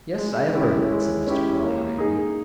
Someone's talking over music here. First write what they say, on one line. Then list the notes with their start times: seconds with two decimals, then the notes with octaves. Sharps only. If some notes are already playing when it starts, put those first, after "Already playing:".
"Yes; I have heard of it," said Mr. Crawley, gravely.
0.18 G#3
0.55 C#4 E4 G4
0.91 G#3
1.27 C#4 E4 G4
1.63 A#3
1.98 D#4 G#4